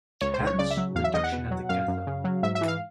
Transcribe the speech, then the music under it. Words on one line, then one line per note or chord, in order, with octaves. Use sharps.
Hence, reduction at the cathode.
C#2 C#5
C5
C#2
C#5
C#3 D5
E5
F#3
E2 F5
E5
E2 D#5
F#5
B2
F#3
F#2 F5
F#2
C#3
F#3
G#2 E5
E5
E3
F5